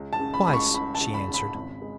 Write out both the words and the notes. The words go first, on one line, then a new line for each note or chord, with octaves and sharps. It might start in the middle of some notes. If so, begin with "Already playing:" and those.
"Twice," she answered.
Already playing: C#2
A5
C#3
B5
C#2 B5
C#6
C#3 B5
A5
C#3
B5
C#3
B5
G#1
G#3